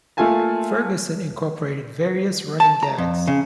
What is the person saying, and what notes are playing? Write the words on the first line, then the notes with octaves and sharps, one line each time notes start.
Ferguson incorporated various running gags.
A3 A#3 F4 E5 G#5 A5
A5
A#5
F2
C#3